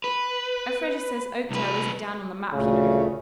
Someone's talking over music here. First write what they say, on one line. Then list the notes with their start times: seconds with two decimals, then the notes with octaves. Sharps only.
"Elfreda says Oakdale isn't down on the map, you know."
0.04 B4
1.51 C2 B4
2.53 D2 A#2 C#3 A3